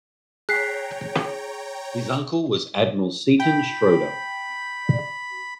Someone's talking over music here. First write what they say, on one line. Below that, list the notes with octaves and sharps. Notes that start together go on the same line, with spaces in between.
His uncle was Admiral Seaton Schroeder.
G#4 C#5 G5 A#5 F#6 B6 C7
G5 B5